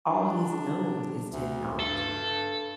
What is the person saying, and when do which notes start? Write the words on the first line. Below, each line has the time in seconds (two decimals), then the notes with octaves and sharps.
all he's known is technology,
0.08 D4
1.32 D2
1.80 G2 A4